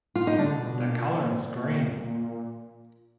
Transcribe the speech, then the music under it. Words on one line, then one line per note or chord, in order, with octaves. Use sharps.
The color is green.
F4
D#4
D3 D4
B2
B2
A#2